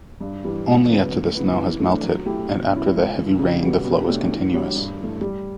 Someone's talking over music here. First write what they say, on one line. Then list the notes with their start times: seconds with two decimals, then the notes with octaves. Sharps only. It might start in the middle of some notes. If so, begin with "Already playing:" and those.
Only after the snow has melted and after the heavy rain the flow is continuous.
0.20 G2
0.44 E3 G3
0.66 C#2
0.90 C#3 F#3 B3
1.13 D2
1.35 C#3 E3 B3
1.58 E3
1.80 A3 D4
2.03 F#3
2.25 A3 E4 G4
2.49 B2
2.71 F#3 C#4 E4
2.94 C#2
3.16 C#3 E3
3.39 C#3
3.63 G3 B3 F#4
3.85 B2
4.08 A3 D4 G4 C#5
4.31 E3
4.53 G3 D4 F#4 C#5
4.76 G2
4.99 E3 A3
5.21 G3